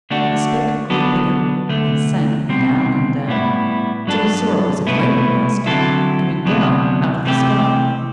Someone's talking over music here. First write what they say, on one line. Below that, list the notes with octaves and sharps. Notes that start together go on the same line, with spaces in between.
But the speck grew bigger, and sank down and down, till he saw it was a great basket coming down out of the sky.
D3 A3 D4 F#4
D3 F#3 B3 D4 A4
D2 D3 A3
C2 B2 G3 C4
A2 G3 B3 E4
G2 F#3 B3 D4 A4
C2 B2 A3 E4 B4
D3 F#3 C4 E4 A4
D2 C3 F#3 B3 D4
C3 E3 A3 C4 G4